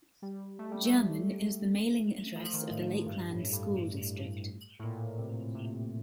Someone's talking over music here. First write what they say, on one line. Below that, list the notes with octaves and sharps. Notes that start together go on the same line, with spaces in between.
Jermyn is the mailing address of the Lakeland School District.
G3
A3
G3
A3
F3
D#3
A2
A2
G2
A2
G2
A2
A#2
C3
C3